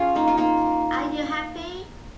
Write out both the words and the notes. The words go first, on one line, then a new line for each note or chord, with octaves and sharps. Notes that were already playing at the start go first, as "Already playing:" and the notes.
Are You Happy?
Already playing: C#4 F4 G#4
A#3 D#4
F4
A#3 D#4